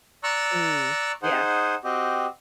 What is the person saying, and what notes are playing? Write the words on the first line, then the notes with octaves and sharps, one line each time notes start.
Mm, yeah.
D5 A#5 C#6 E6 F#6
D#4 G#4 C5 F#5
C4 F#4 G4 D#5